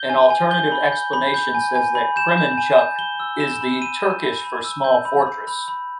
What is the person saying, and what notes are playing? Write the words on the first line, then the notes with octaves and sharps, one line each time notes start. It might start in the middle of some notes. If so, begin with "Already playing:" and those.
An alternative explanation says that "Kremenchuk" is the Turkish for "small fortress".
Already playing: G6 G7
G#5
G#5
G6 G7
B5
G6
B5
G6
G#5
G#5
B5
G6 E7
G6
G#5
G6
B5 G7
E6
B5 E7
B5
B5 D#7
G6
B5
B5
E6
G6
B5
B5
B5
B5